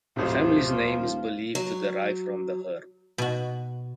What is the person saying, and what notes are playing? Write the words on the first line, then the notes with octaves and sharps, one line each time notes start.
The family's name is believed to derive from the herb.
D#1 A1 C3 F3 F#3
D#1
F#3
B2 F#4